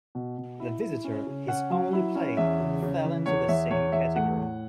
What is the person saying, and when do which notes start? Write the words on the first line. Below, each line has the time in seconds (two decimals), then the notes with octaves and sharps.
"The Visitor", his only play, fell into the same category.
0.15 B2
0.38 B2
0.60 E4
0.81 E4
1.04 C#4
1.27 C#3
1.48 C#4 F#5
1.70 F#3
1.93 E4
2.15 C#4
2.37 E2 E5
2.60 C#3
2.82 C#3
3.04 E3
3.26 E2 C#5
3.48 E2 E5
3.71 E2 C#5
3.92 E2 E5
4.16 A3 F#5
4.37 A2